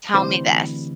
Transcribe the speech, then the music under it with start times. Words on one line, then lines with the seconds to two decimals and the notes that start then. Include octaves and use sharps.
tell me this."
0.14 D2 C3 E3 C5